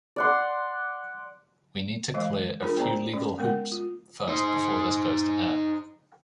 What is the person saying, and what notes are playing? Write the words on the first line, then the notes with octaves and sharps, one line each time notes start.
We need to clear a few legal hoops first before this goes to air.
D5 F#5 C6
E3 G#3 D#5 F5
D4 F4 G#4 A#4
B3 C5 D5 A5 A#5
C#4 D5
G#3 B3 A#4 F#5
F4
D#4 C5